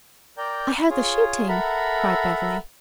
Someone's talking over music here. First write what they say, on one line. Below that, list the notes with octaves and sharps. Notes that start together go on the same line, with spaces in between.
"I heard the shooting," cried Beverly.
A#4 D5 G5 A#5 G6
F4 G#4 C#5
A4 A#4 E5 F#5 A#5 B5